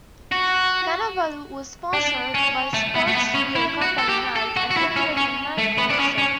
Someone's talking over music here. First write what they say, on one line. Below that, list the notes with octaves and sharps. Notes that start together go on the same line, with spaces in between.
Cannavaro was sponsored by sportswear company Nike and appeared in Nike commercials.
F#4
D4
C#4
A3
B3
A3
B3
C#4
E4
F#4
A4
G4
A4
F#4
F#4
E4
C#4
C#4
A3
B3
D4
C#4
C#4